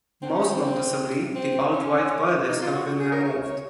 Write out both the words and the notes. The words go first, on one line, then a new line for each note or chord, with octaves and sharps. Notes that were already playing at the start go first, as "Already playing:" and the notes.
Most noticeably, the old white borders have been removed.
C4
C#4
C4
C4
C#4
D#4
F4
F#4
F#4
G#4
A#4
C#5
C#5